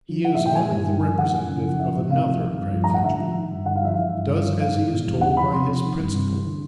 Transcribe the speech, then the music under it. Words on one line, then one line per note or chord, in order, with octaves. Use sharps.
'He is only the representative of another!' cried Fledgeby. 'Does as he is told by his principal!
F3
F3 F#5
E5
A#2
G5
E3 G#5
G2
D3
F3
D#3 F#5
F#2
C#3
F3
F3 E5
A2
C3 F5
F3
D#3
G2
F3
A2 A#5
F#5
D3 E5
F3
D#3
G2
D3 F#5
F5
F3 E5
E3 F5
G2
D3
F3
D#3 F5
G#2
B2
E2
D3 F#5
F3 B5
C3 C6
F3
D#3
G2
C3
E3
D3